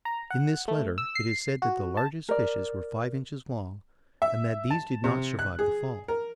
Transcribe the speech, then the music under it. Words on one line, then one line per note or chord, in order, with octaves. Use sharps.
In this letter it is said that the largest fishes were five inches long, and that these did not survive the fall.
A#5
F#5
A3
E6
C7
F#4
A5
A#4 D5
E5
A5
C3
F#6
G#4
A#4